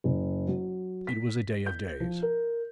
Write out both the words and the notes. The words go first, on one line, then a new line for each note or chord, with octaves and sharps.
It was a day of days.
F#1
F#3
B6
G6
F3
A#4